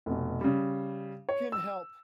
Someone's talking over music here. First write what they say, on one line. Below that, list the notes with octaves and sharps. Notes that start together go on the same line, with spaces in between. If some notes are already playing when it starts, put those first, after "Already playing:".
can help.
F1 B2
C#3 G3
C#5
E6